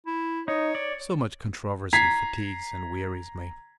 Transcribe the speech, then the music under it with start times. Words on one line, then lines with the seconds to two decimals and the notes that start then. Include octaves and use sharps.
So much controversy fatigues and wearies me.
0.07 E4
0.48 D#4 C#5
0.75 D5
1.93 A#5 G#6 B6 C7